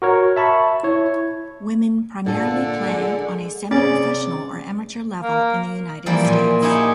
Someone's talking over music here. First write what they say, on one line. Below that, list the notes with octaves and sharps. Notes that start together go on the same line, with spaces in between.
Women primarily play on a semi-professional or amateur level in the United States.
F#4 A#4 C#5
E5 A5 B5 C#6
E4 C#5
A#2 D3 F4 A4
G#3
C3 B3 C#4 G#4 D5
A#3
E3 F3 G3 A#3 D5
A#2 G#5
D#4 E4 G4 G#4 C#5 G#5